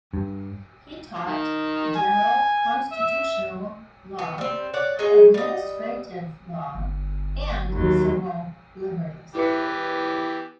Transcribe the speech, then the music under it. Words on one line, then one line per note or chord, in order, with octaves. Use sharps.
He taught general constitutional law, administrative law and civil liberties.
G2
D#3
G#5
E5
B3
G3 C4
C#5 D5 F#5
G#3 D#4 G#4 C#5
G3 D#5
G1
D#2 F#3
E3 B3 E4 G4 B4 C#7